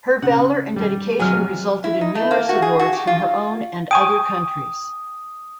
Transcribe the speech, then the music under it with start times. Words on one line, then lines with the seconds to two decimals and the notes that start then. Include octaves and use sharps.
Her valor and dedication resulted in numerous awards from her own and other countries.
0.22 C#3 F#5
0.76 G3
1.19 C3 F#3 G#3 G#5 F6
1.84 E4
2.01 D#4
2.15 A3
2.31 A#3
2.49 F#4
2.62 G#4
2.79 F#4
2.93 G4
3.07 F4
3.91 G5 G#5 C#6 D#6